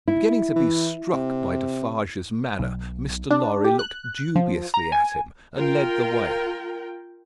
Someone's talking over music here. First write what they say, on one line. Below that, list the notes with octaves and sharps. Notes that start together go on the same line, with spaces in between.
Beginning to be struck by Defarge's manner, Mr. Lorry looked dubiously at him, and led the way.
E4
E3
C3
B1
D4
G4
F#6
F3
A#5
G#5
F4 A#4 G5